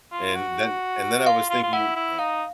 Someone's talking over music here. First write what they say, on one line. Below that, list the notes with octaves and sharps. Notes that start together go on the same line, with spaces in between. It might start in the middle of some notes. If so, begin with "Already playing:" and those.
And then and then I was thinking and
F4
F#4
F4 F5
F4
F4
E4 F#5
E4
D#4 F5